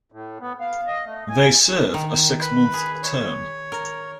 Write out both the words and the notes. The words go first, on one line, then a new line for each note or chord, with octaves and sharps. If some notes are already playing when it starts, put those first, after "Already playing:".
They serve a six-month term.
A2
B3
F5
D#5
A3
G#5
D#3
B4 B5
G#4
C#5
A#4